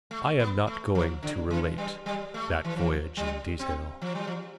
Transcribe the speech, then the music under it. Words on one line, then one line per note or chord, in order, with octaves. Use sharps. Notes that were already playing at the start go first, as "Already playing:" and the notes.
I am not going to relate that voyage in detail.
A3
B3
A3
F3
D3
E3
G3
G3
A3
E3
F3
G3
C4
F3
G3
F3